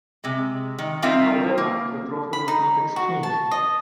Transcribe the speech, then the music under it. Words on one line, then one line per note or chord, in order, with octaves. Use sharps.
However, the trophy was not exchanged.
C3 G#3
D#3
G3 C4 D#4 F4 A#4 E5
A#3
B5
D#4
F#4
A5
D#5